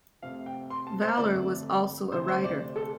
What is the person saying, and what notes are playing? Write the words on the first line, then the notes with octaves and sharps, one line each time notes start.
Valor was also a writer.
F2 C3 A3 F5
G5
C6
A5
C5
G1 F2 F3 A3 D5
D2 C3 A3 C5
C5
D5
A4